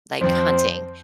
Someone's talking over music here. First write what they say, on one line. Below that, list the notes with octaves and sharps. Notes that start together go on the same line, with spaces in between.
like, hunting,
F2 F3 C4 C5